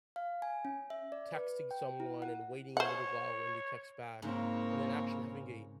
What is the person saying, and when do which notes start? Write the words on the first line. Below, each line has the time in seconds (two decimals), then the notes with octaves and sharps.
texting someone and waiting a little while when they text back, and then actually having a
0.16 F5
0.42 G#5
0.65 C#4
0.90 E5
1.12 D5
1.35 B4
1.71 G5
2.00 E4
2.22 F#5
2.77 C5 C#5 F#5
4.22 G#2 C#3 A#3 C4 A#4 C#5